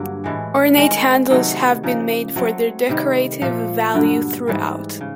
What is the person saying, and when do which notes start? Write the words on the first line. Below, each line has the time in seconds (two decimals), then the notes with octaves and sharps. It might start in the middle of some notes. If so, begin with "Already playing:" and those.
Ornate handles have been made for their decorative value, throughout.
Already playing: G2 D3 F#3 A#3
0.24 A2 E3 G#3
0.77 D#3 G#3 C#4
1.30 C3 D#3 F#3 A3
1.83 C#3 F3 A#3 D#4
2.36 F#3 A3 C4
2.89 C3 D#3 G3
3.42 A#2 F3 A3
3.94 G2 D3 F#3
4.47 G#2 E3 G3
5.01 C#3